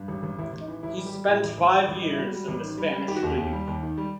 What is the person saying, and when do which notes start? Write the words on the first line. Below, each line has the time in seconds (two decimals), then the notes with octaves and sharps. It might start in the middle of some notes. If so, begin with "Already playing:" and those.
He spent five years in the Spanish league.
Already playing: G2
0.08 A1
0.23 A1
0.39 A1 E4
0.53 A1
0.61 D#4
0.68 E3
0.83 A1 E4
0.98 G3
1.06 G4
1.13 G3
1.28 A2 E4
1.44 A1
1.58 A1
1.73 G3
1.88 A1
2.02 G3 D#4
2.10 E4
2.18 G3 F#4
2.33 G3
2.48 A1
2.63 D#3
2.78 G3
2.93 G3
3.08 D#3 G4
3.16 F#4
3.23 D#2 G4
3.37 D#2
3.53 G3
3.67 D#2
3.83 D#3
3.98 G3